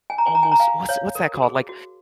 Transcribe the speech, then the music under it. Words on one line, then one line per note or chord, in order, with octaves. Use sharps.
almost what's what's that called? Like
G#5
A#5
G#5
A#5
G#5
A#5
F5 G#5
C#5 F5
A#4
F#4
G#4
F#4